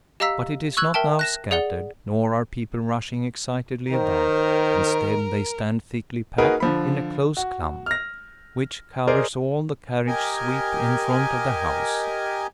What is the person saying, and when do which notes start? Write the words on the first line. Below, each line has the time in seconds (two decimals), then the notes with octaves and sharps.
But it is not now scattered, nor are people rushing excitedly about; instead, they stand thickly packed in a close clump, which covers all the carriage sweep in front of the house.
0.20 G4 D#5 F5 A#5 E6 B6
0.77 C#6 E6 F#6 G#6 F#7
0.94 A#4 E5 G5 A5
1.19 F#6 A#6 E7
1.51 G#4 D5 F#5 G7
3.91 D#3 A#4 C5
6.38 A#3 D#4 F#4 G#4 A#4 B4
6.60 D3 F3 B5
7.37 F#4
7.86 F6 A#6
9.07 G#4 A#4 C5 D5 D#5
10.07 G4 A#4 D#5 G#5